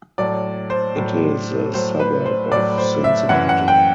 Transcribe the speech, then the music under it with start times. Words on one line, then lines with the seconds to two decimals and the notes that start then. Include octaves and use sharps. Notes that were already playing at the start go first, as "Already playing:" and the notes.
It is a suburb of Cincinnati.
0.18 A2 F#3 D5
0.70 C5
0.96 A2 F#3
1.74 A2 F#3 C5
2.00 B4
2.26 C5
2.51 A2 F#3 D5
2.78 C5
3.04 E5
3.29 F#2 E3 F#5
3.49 F#5
3.68 G5